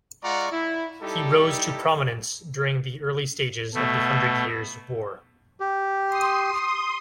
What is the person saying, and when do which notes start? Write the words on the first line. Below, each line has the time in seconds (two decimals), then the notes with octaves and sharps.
He rose to prominence during the early stages of the Hundred Years' War.
0.23 G#3 F4 D5 F#5 A#5 C#6
0.52 E4
1.01 G3 D#4 E4 G4 A4
3.74 B2 A3
5.60 G4
6.07 C6 D#6